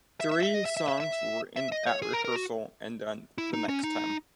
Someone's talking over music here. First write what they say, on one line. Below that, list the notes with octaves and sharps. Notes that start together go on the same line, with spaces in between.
Three songs were written at rehearsal and done the next time.
E5
E5
E5
D#5
E5
E5
E5
E5
E5
D#5
C#5
G#4
A#4
A#4
F#4
E4
D#4
C#4
D#4